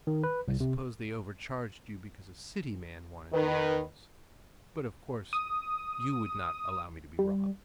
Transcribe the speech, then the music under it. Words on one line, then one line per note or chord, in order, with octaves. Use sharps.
"I suppose they overcharged you because a city man wanted the animals. But of course you would not allow me to be robbed."
D#3
B4
C2
C3
D#3 B4
D#6
G3